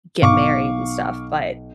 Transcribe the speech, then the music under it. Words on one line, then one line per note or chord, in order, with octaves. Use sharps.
get married and stuff, but,
B1 F5 C#6 D6